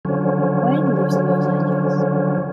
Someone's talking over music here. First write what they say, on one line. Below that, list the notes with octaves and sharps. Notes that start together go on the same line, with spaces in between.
Wain lives in Los Angeles.
D3 F3 F#3 C#4